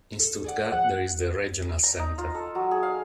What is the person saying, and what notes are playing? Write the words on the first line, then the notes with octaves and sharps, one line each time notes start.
In Stuttgart there is the "Regional Center".
A4
G#4 D5 F#5
F3 F#5
A#5
D#4
F4
A4
F#3
G#4
F5